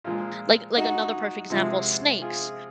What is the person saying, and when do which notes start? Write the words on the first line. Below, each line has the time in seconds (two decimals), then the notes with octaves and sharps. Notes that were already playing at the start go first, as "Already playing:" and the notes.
Like like, another perfect example, snakes,
0.04 A#2 F3 G#3 F4
0.77 D#4 F#4
1.50 C3 F3 G#3
2.22 F4 G#4